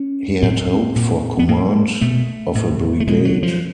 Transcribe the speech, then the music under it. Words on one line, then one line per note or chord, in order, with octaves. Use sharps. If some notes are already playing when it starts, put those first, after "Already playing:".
He had hoped for command of a brigade.
Already playing: C#4
A2 C4
A#2
B3
A2 A#3
B2 A3
A2
A3
B2 G#3
F#3
F3